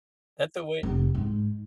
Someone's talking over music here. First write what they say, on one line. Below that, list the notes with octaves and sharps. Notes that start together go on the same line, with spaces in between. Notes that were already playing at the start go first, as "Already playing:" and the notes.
that's the way
F1
G#2